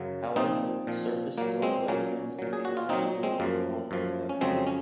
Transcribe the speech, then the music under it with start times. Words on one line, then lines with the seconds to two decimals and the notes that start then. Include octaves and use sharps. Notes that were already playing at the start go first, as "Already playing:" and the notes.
However, surface flow wetlands can be more suitable for wildlife habitat.
Already playing: F#2 C#3 F#3
0.36 A#2 F3 C4 D#4
0.87 A#2 F3
1.38 A#2 F#3 A#3
1.62 G#3 C4
1.88 A#2 F#3 A#3 C#4
2.39 A#2 F#3
2.53 G#4
2.65 F#4
2.77 F4
2.89 A#2 F#3 C4 D#4
3.23 G#3 C4
3.40 F#2 F3 A#3
3.91 F#2 F3
4.29 C#4
4.41 F2 C#3 F#3 G#3 C4
4.67 C#4